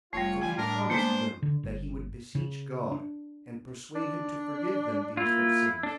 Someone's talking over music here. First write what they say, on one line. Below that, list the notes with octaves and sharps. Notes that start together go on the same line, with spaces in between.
So he promised them that he would beseech God, and persuade him to forgive them these their sins.
F1 G3 A3 F4 C#5
G3 G5 G#5
A2 D4 A#4
G#3 A#3 B3 C5
D3
G1
C#3
D4
D4
A#3 E4 F4
D4 A4